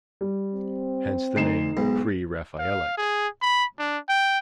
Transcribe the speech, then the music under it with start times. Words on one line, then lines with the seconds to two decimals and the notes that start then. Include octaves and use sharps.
Hence the name "Pre-Raphaelite".
0.21 G3
0.54 C4
1.36 D2 D#4 C7 E7
1.77 B1 G#2
2.59 F5
2.98 G#4
3.42 B5
3.79 D4
4.09 G5